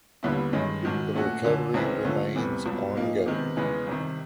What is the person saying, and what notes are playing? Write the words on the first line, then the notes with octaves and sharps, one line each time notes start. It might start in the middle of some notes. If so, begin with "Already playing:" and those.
The recovery remains ongoing.
D#2 D3 G3 B3 E4
G2 D#3 G#3 C#4
G#2 D#3 F#3
A#2 F#3 A3 C#4 F#4
F#2 D3 F#3
C#2 C#3 E3 G#3 C4
D3 F3 A3 C#4
E2 C3 E3 G3
C#2 B2 G3
A#2 F3 A#3 D#4
C3 D#3 G#3 B3
E2 C#3 E3 G#3 B3
C2 C3 D#3